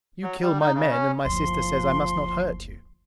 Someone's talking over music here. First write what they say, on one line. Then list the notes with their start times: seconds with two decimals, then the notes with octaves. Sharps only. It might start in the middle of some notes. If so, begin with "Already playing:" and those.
You kill my men, and my sister says I must not hurt you.
0.23 F#3
0.42 G3
0.61 D#4
0.75 C#3
0.91 C#4
1.25 F#1 D2 F3 C6